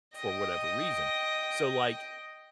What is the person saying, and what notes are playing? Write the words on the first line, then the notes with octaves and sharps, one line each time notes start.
for whatever reason. So, like,
D#5 G5